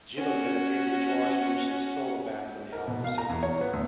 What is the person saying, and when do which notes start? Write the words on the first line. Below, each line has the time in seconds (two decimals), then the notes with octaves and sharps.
Gillen then appeared with George Lynch's solo band on the album "Sacred Groove".
0.17 C#4 F#4
2.73 A#4
2.88 B2
3.04 F5
3.18 A#5
3.30 E2
3.43 C#5
3.61 B3
3.73 D2